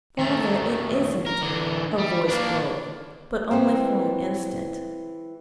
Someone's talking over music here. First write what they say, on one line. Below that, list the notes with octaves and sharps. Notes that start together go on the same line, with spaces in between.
'Father, it isn't.' Her voice broke, but only for an instant.
D#3 A3
A#4
D3 E3
G3
A#3 D4
E3 G#3 C4